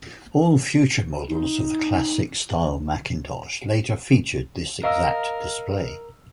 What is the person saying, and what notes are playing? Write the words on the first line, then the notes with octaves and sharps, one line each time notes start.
All future models of the Classic style Macintosh later featured this exact display.
D#4
A#4 D#5 F5 E6